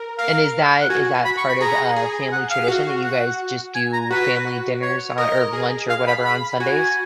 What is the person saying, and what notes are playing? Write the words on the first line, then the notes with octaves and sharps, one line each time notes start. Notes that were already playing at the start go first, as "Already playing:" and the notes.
And is that is that part of a family tradition that you guys just do family dinners on or lunch or whatever on Sundays?
Already playing: A#4
A#4 F5
F#5
F#4 G#5
B5
C#6
B5
G#4 A#5
G#4
F#5
F5
F#4
F#5
G#5
A#5
F#4 B4
C#5
A#4 D#5
G#4
F5
B5
B5
F#4 G#5